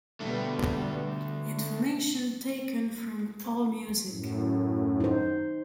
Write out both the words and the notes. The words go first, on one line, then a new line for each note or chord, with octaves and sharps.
Information taken from Allmusic.
B2 D3 G3 A3 B3
F#2 A2
D#4 C5